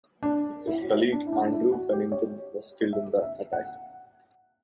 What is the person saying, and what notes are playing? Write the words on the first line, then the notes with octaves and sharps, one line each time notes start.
His colleague, Andrew Pennington, was killed in the attack.
D4
E4
F#4
D4
E4
D4
D4
E4
F#4
G4
C#5
E5
E5
F#5